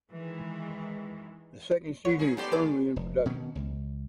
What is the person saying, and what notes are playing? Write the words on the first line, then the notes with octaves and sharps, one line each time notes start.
A second season is currently in production.
D#3 E3 G#3
A#3 C#5
C#4 D#4 G#4
B3 C#4 G4 A4 D5 C6
G#4 G#5 D6
F1
B2 D#3 C#4
C#2